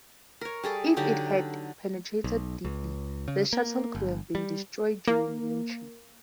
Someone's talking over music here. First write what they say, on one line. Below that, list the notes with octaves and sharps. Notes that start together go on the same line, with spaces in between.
If it had penetrated deeply the Shuttle could have been destroyed during reentry.
A#4 C#5
G3 G#4 A4 D6
D3 F#3 D#4 G4
B1
C#2
C#3
A#3
G1
G3
A#3